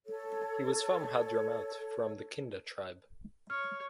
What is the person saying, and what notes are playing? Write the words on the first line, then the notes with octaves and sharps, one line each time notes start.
He was from Hadhramaut from the Kinda tribe.
A4 C#5
C#5 F6